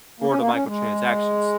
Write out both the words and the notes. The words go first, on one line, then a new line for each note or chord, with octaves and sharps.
for the microtransactions.
A#3
C#4
A#3
C#4
G#3